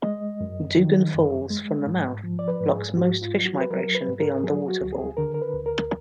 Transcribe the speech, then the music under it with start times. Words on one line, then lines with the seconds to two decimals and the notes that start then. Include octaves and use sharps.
Dougan Falls, from the mouth, blocks most fish migration beyond the waterfall.
0.03 G#3 D#5
0.41 F#2
0.77 D#3
1.14 F#2
1.50 G#3
1.87 G#2
2.24 F3
2.39 D5
2.48 B4
2.61 G#2
2.72 G#4
2.97 G#2 F#4
3.22 F4
3.34 F#3
3.46 F#4
3.61 B4
3.70 F#3 A#4
3.95 B4
4.08 G#2
4.20 A#4
4.44 F#3 G#4
4.68 F#4
4.81 D2
4.93 G#4
5.17 D3 A#4
5.34 A#4
5.42 B4
5.54 D2
5.66 A#4